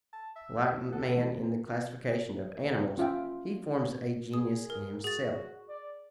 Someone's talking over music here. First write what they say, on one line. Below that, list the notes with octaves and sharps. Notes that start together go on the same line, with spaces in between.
Like man in the classification of animals, he forms a genus in himself.
A5
E5
A4 F#5
E3 A3 C4
C#4 F4 E5 G5
G#4 D#6
A#4
F#4 G#4 A6
D5